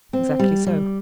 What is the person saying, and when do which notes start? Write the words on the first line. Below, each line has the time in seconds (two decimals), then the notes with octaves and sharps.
"Exactly so."
0.13 C4
0.39 G3
0.66 G3